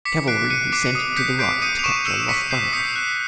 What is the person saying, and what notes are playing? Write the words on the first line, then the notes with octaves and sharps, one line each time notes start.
The cavalry he sent to the right to capture Los Banos.
D6 B6 C#7
F#6 C7 D7
F#6 C#7 D#7
D6 C7 D7
C#7
D#6 C7
G6 B6 C#7
G6 C7 D7
D#6 C#7 D#7
F7
C#6 D7 E7
E6 C#7 D#7
C#6 B6 C#7
G6 C7
D#6 B6 C#7
F#6